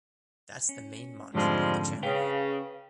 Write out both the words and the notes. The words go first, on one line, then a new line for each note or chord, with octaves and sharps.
That’s the main mantra of the channel.
C#4
F2 G#2 D3 F3 G3 G#3
C#3 B4 F5 G5